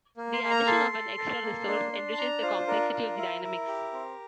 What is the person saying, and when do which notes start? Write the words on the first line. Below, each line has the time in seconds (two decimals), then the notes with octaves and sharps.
The addition of an extra resource enriches the complexity of the dynamics.
0.17 A#3
0.33 C6
0.43 A#3
0.50 A#5
0.67 A4 C6
0.93 A4
1.17 A4
1.42 A#3
1.67 D4
1.92 D4
2.13 A5
2.17 D4 A#5
2.42 F4 C5
2.67 D4 A#4
2.93 F4
3.18 E4
3.43 E4
3.68 G4
3.93 C4